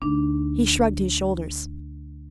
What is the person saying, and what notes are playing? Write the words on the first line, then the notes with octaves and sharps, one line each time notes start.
He shrugged his shoulders.
D2 D4 D#4